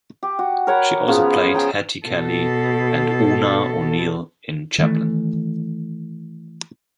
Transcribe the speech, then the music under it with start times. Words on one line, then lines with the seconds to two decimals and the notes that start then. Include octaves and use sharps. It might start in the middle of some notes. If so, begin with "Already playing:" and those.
She also played Hetty Kelly and Oona O'Neill in "Chaplin".
0.23 G4
0.39 F#4
0.67 A#4 C#5 F#5 B5
1.08 C#3 F3 B3
1.54 G#4 G5 A#5
2.06 B2 A4
4.78 D#3 E3 A3